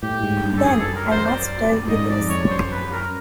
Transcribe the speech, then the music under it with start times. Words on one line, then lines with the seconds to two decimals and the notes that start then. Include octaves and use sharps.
Then I must tell you this.
0.03 A2 G4
0.23 G#2
0.44 G2
0.57 A4
0.64 F#2 G#4
0.80 A4
0.96 A#4
1.11 C5
1.26 D5
1.88 G#2 D#5
2.09 D5
2.20 F2
2.29 C#5
2.50 F#2 C5
2.71 B4
2.92 A#4